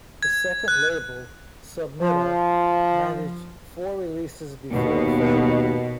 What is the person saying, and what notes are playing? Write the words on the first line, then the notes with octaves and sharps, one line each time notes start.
The second label, Submeta, managed four releases before folding.
G#6
F#6
F3
D#2 B2